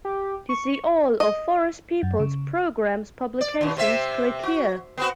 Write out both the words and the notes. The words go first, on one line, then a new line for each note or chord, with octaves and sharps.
To see all of Forest Peoples Programme's publications click here.
G4
C#6
D#5
F#2
C#3
D5
D#2 B2
C3 C4 E5
F#4
B3 C4 F#4